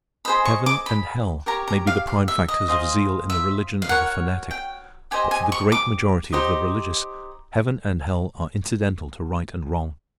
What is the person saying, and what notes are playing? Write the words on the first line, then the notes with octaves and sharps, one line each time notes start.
Heaven and hell may be the prime factors of zeal in the religion of a fanatic; but for the great majority of the religious, heaven and hell are incidental to right and wrong.
G#4 C5 D#5 B5
C#6
D6
B5
G4 A#4 C#5 A#5
A#5
F5
F5
E5
D#5
F4 G#4 C5 D#5
E5
F5
F#4 A#4 C#5 F#5
G5
G4 C5 D#5 G#5
G#5
C#6
D6
D#4 G4 C5 D#5